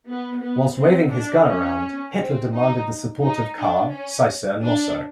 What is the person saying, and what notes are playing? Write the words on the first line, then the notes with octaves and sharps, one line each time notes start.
While waving his gun around, Hitler demanded the support of Kahr, Seisser and Lossow.
B3
B3
C4
D4
C#4
C4
D#4
D#4
D4
C#4
D4